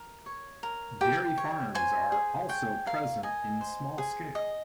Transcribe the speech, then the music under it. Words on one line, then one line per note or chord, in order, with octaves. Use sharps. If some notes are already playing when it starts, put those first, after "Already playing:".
Dairy farms are also present in small scale.
Already playing: A#4
C#5
A#4
G4 G5
C#5
C5 G#5
G#4
C#5 G5
A#4 F5
D#5 G#5
C5
G#4
D#5